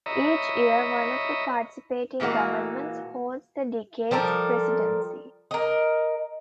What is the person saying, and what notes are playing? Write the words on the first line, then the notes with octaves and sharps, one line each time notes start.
Each year, one of the participating governments holds the Decade's Presidency.
C#5 D#5 E5 A#5 B5
A#2 E3 G#3 A#3 F#4
F3 G3 A4 A#4
A#4 D#5